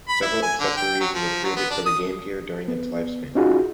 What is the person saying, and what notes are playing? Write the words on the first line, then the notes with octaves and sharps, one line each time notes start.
Several accessories were created for the Game Gear during its lifespan.
B5
E4
G#5
D3
G5
F#3
F3
F#3
B3
D4
D#6
B3
C#4 D#4 F4 F#4 G#4